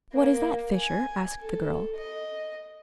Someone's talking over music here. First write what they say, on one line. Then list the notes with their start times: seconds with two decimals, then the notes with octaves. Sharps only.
"What is that, Fisher!" asked the girl.
0.13 A#3
0.74 G#5
1.39 A4
1.96 D#5